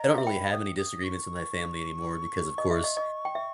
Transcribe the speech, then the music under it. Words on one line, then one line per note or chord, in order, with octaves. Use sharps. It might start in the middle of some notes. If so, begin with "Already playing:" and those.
I don't really have any disagreements with my family anymore because of course,
Already playing: D#5 A#5
E5
G5 B5
D#6
D#6
C#6
D#5
E5
D#5
D#5
G5
E5